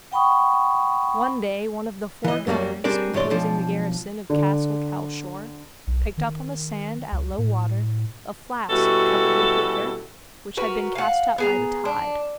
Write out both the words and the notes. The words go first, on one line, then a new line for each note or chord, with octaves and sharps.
One day one of the four gunners composing the garrison of Castle Calshor picked up on the sand at low water a flask covered with wicker, which had been cast up by the tide.
F#5 G5 B5 C#6 D#6
E3 D#5
F#2 F#3 G3 A#3
G3 C4 D4 G#4 A#4 D5
C2 G2 E3 C#5 D5 C6
B1 F3 D4
D3
B1
D#3
C#2
A2
B2 G3 C#4 E4 F#4 A4
F#4 A#4 B4
F5 F#5
B3 G#4 A#5
D4